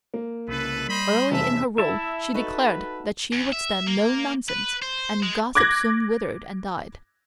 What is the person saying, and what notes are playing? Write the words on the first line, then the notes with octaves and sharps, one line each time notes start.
Early in her rule she declared that she would stand no nonsense, and gossip soon withered and died.
A#3
C2 C#3 A4 B4
G3 C5 D#5 B5
F1 E2 E5 A5
E4 E5 A5
D#4 F#4 A4 B4
E2
E5
A#3
B4
C5
G#3
D6 F#6 G#6 A#6